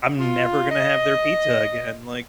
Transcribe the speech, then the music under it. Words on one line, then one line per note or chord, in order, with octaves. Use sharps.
I'm never gonna have their pizza again." Like
F4
D#5